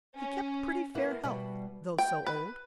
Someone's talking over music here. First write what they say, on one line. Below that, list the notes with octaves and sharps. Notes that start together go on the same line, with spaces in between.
He kept pretty fair health, though so old.
C#4
A#3 B3 E4
B2 G3
G5
B4